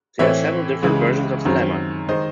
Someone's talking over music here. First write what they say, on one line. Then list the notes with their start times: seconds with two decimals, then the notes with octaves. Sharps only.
There are several different versions of the lemma.
0.19 A2 E3 C4 C#5 E5
0.82 C#2 C#3 E3 G#3
1.45 F#2 D#3 F#3 C4
2.09 D#3 G#3 C5 D#5